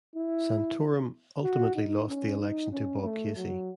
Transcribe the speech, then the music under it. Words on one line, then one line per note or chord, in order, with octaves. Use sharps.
Santorum ultimately lost the election to Bob Casey.
E4
F#4
D#4
C#4
D#4
C#4
A3
F#3